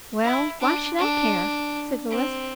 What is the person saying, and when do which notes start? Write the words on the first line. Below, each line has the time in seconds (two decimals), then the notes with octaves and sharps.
"Well, why should I care?" said Louis.
0.24 E4
0.61 D4
0.99 D4
2.11 C4